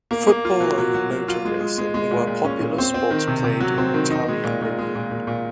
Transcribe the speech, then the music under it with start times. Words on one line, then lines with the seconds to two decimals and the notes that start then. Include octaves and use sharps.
Football and motor racing were popular sports played in Italian Libya.
0.11 A#3
0.27 A#3
0.45 F4
0.60 F#3
0.78 F#3
0.94 F#3
1.11 F#3
1.28 F4
1.45 G#3
1.61 G#3
1.78 G#3
1.94 G#3
2.11 A#2
2.27 A#2
2.44 C#4
2.61 A#2
2.78 C4
2.94 C4
3.11 D#3
3.27 C3
3.44 C3
3.61 F#3
3.78 C4
3.94 D#3
4.11 D#4
4.28 G#3
4.44 A#2
4.62 A#2
4.78 G#3
4.95 A#2
5.11 A#2
5.27 A#2